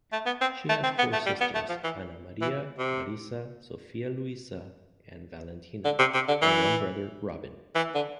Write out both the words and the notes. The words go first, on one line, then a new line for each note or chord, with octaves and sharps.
She has four sisters: Anna Maria, Marisa, Sophia-Luisa, and Valentina; and one brother, Robin.
A3
B3
C4
A3
C4
B3
A3
G3
B3
A3
F3
E3
E3
C3
D3
C3
C3
D3
E3
E3
D3